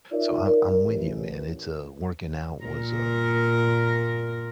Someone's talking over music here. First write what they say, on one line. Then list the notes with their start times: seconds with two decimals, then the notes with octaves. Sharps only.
So, I I'm with you, man. It's, uh, working out was, uh
0.12 D#4 F4 A#4 C#5 D5 E5
0.46 A#4
0.85 A1
2.64 A#2 A#4